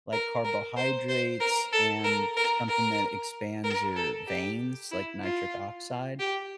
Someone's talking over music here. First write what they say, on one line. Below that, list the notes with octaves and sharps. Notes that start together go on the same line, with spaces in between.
like, carbohydrates and something that expands your veins, like, nitric oxide,
A#4
A#4
C5
C5
A#4
A4
A#4
A#4
A#4
A#4
A4
G4
E4
F4
G4